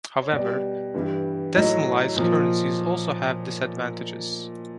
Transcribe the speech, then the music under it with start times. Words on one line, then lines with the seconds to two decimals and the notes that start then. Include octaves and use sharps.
However, decimalised currencies also have disadvantages.
0.23 C#5
0.33 B2 G3 D5
0.94 G2 E3 G3
1.55 A2 F#3 D#5
2.16 A#2 F3